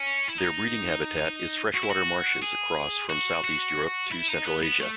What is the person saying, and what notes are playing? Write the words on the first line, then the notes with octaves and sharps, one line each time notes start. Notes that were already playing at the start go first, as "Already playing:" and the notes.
Their breeding habitat is freshwater marshes across from southeast Europe to central Asia.
Already playing: C#4
E4
D#4
F#4
E4
F#4
G#4
F#4
F#4
E4
D#4
B3
B3
A3